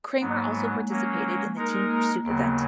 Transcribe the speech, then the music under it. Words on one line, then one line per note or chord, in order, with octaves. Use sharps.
Kramer also participated in the team pursuit event.
G#2 F#3 A#3 B3
G#3
F#3 A#3 C#4
G#3 A#3 D#4 A#4
A#3
D#2 C#3 F#3 B3